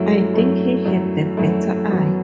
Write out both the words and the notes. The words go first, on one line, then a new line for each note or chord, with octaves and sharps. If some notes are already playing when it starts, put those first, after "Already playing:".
I think he had the better eye.
Already playing: F#2 F#3 A3 E4
F#2 F#3 A3 E4
F#2 F#3 A3 E4
F#2 F#3 A3 E4
F#2 F#3 B3